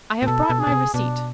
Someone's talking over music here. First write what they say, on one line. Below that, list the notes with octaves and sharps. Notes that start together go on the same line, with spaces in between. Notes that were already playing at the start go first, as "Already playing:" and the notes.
"I have brought my receipt."
A#2
B2 A4
B2
G#4
B2
C3
B2 D4